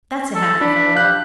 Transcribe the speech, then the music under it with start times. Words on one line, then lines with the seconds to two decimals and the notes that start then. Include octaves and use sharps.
That's a happy fellow!
0.35 A4
0.61 D4 B5
0.95 G4 F5 F#6